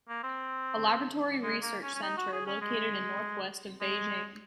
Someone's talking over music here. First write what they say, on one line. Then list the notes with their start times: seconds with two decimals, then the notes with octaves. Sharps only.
A Laboratory Research centre located in northwest of Beijing.
0.09 A#3
0.23 C4
1.43 G#3
1.62 A#3
1.83 C#4
1.95 C#4
2.03 D#4
2.17 F#4
2.33 G#4
2.47 C#4
2.61 G#3
3.81 G#3